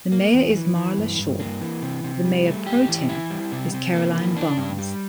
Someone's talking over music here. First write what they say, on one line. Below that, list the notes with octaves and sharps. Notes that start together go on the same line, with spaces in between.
The mayor is Marla Shaw, the mayor pro tem is Caroline Barnes.
A#3
E2
E3
E3
G2
G2
A#3
E3
C3
C3
G3
A3
G4
E3
E4
G3
C3
C3
A#3
E3
D4
G2
G3